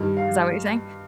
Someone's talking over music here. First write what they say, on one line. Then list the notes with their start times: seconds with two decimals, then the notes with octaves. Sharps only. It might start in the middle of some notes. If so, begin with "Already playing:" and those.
Is that what you're saying?
Already playing: G2 D#3 G3
0.17 F5